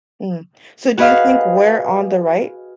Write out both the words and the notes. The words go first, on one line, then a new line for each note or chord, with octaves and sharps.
Mm. So, do you think we're on the right?
F#4 G#4 B4 D#5 F5